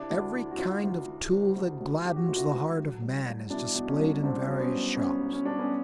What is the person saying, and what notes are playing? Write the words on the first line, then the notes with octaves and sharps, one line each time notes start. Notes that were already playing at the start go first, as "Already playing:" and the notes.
Every kind of tool that gladdens the heart of man is displayed in various shops.
Already playing: C3 D4 E4
D2
E3
F#4
D2 D#4 F4
D2
E3
C3
D2
D2
E3 G4
F#4
D2 F4
E4 F#4
D2
F#3
C2
C2
B2 D4 E4
B2
C#4 D#4
C2
C2 C4 D4
F#3
C4
B3 C#4
C2
B2 B3 C#4
C2
C#4
C2 D4
B3 C#4